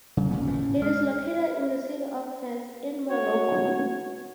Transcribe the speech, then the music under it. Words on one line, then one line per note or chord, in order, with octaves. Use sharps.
It is located in the city of Fez in Morocco.
C#3 F#3
C#2 A#2 B3 C#4
G#1 A2 E3
A2
G#3 F6
F#4 C#5